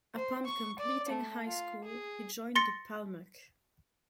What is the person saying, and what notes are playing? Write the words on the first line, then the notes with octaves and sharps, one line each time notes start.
Upon completing high school, he joined the Palmach.
C5
C#6
D5
A3
F4
G#4
C6 A6 A#6 C#7